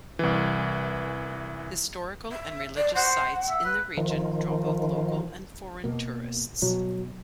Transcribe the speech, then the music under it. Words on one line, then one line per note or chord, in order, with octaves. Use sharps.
Historical and religious sites in the region draw both local and foreign tourists.
C2 E3
E5
D5
C5 F#5
E5
B4
D#3 F3
B2 A#3
B2 F#3